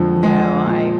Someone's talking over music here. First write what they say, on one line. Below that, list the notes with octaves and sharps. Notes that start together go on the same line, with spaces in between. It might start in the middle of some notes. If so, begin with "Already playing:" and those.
No, I
Already playing: F2 D3 F3 G#3
G#3
A#2 F3